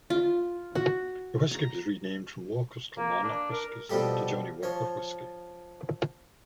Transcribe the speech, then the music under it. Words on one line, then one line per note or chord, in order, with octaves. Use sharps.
The whisky was renamed from Walker's Kilmarnock Whiskies to Johnnie Walker Whisky.
F4
F#4
A#5
A#3
D4
A#4
B2 F3 G3 G4 A4
F3 C#5